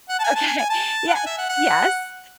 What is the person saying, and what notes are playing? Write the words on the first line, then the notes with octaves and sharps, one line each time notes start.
Okay. Yeah Yes.
F#5
A5
G#5
A5
G#5
G#5
A5
F#5
G#5
E5
F#5
F#5